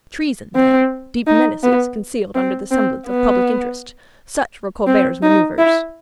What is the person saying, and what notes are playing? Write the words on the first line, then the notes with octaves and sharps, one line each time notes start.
Treason, then--deep menaces, concealed under the semblance of public interest--such were Colbert's maneuvers.
C4
D#4
B3
C4
C4
B3
C4
D#4
E4